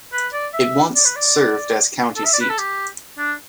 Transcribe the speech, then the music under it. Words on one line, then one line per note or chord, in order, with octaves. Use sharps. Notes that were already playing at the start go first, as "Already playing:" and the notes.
It once served as county seat.
B4
D5
E5
D5
B4
D5
A4
E5
D5
B4
A4
G4
D4